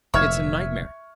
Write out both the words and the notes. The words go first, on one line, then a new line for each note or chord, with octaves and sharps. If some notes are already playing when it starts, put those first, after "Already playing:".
It's a nightmare!
F1 A#2 E5 C#6 F6 G#6